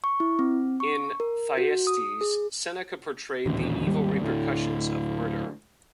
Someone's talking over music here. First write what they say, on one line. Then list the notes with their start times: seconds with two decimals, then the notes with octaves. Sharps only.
In "Thyestes", Seneca portrayed the evil repercussions of murder.
0.04 C#6
0.20 E4
0.39 C4
0.80 C#6
1.20 A#4
1.57 F#4
1.87 D#6
2.21 G#4
3.46 D#1 A1 D2
3.87 G#1 D#2 G3
4.20 D2 A2